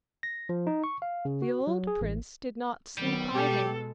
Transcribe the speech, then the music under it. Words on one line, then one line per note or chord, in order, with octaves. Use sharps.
The old prince did not sleep either.
A#6
F3
D#4
C#6
F5
C#3
F#4
F#3
G#4
A1
D#3 F#3 G3 B3
B2 G#3 G4 A4